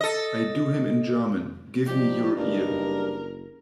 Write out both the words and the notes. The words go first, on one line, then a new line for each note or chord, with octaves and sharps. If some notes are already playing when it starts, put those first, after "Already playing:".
I do him in German; give me your ear.
A4 D#5
F3 G3 D#4 G4
F#1 G2 A#4